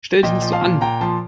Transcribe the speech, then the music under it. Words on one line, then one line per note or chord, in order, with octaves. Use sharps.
Stell dich nicht so an!
A#2 D#5 G5
F3
F5 A5
A#2
A#2 G5 A#5
F3 A5 C6